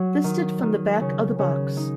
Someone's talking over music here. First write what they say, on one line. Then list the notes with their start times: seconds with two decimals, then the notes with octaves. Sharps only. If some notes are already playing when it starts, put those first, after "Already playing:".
Listed from the back of the box.
Already playing: F#3
0.24 D#3
0.63 D#3
1.01 C#3
1.39 C#3
1.77 D#4